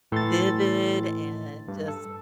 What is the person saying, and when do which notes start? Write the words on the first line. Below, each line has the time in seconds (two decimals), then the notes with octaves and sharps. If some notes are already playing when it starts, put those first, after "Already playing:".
vivid and just
0.12 A2 E3 A4 C6 A6
1.68 G2
1.88 A4